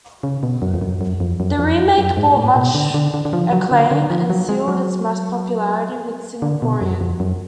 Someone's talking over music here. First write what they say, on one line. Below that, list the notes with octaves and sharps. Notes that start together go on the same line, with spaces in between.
The remake brought much acclaim and sealed its mass popularity with Singaporeans.
C#3
B2
F#2
F2
F#2
F#2
F2
F#2
F2
F#2
G#2
A2
B2
D3
D3
D3
D3
F3
F#3
D3
D3
F3
F#3
G#3
F#3
D3
B2
F#2
F2
F#2